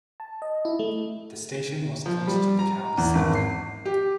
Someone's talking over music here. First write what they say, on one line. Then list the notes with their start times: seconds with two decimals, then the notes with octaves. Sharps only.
The station was close to the town centre.
0.20 A5
0.42 D#5
0.65 E4
0.79 A3
2.06 F3
2.27 G3
2.59 A#5
2.97 E2
3.15 G#1
3.35 C7
3.85 G4